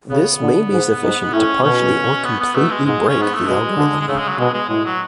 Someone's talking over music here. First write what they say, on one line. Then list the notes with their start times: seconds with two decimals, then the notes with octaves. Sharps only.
This may be sufficient to partially or completely break the algorithm.
0.10 C#3 B3
0.41 D3
0.72 G#2
1.02 G#2
1.32 A2 C#4
1.63 B2 C#4
2.25 B3
2.40 B3
2.55 B2 A3
2.71 G#3
2.85 G#2 G#3
3.08 C#4
3.17 G#2
3.21 B3
3.35 A3
3.47 B2 G#3
3.78 D3
4.00 G#3
4.08 C#3 A3
4.18 G#3
4.29 F#3
4.39 B2 G#3
4.54 G#3
4.69 A2 G#3
4.85 F#3